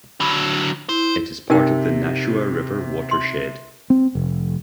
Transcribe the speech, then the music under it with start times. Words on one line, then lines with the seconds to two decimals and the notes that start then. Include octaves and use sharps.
It is part of the Nashua River Watershed.
0.20 D3 F#3 B5
0.89 E4 C5
1.50 C3 D#4 A#4 G5
3.11 C6
3.90 C4
4.15 F1